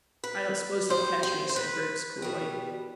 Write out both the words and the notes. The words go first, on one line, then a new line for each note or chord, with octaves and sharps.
"I don't suppose they'll catch me," said Griggs coolly.
B4
B2 G3 C5
C5
C5
B4
B2 G3